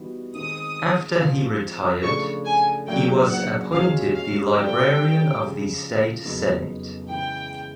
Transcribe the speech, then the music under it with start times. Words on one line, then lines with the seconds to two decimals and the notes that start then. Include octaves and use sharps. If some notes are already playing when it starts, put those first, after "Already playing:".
After he retired, he was appointed the librarian of the state senate.
Already playing: E3 G3 B3 D#4 F#4
0.35 D#3 G#3 C4 D#6
1.19 F3 G#3 C4 F4
2.03 C#3 F3 A3 D4 C#6
2.45 G#5
2.87 C#3 F#3 A#3 D4 G5
3.29 F#5
3.72 G#3 C#4 F#4 F5
4.14 F5
4.55 G3 C4 F4 A4 D5 G5
5.41 C#3 F3 G#3
6.25 F2 C#3 F#3 B3 D#4
7.08 C#3 E3 G#3 G5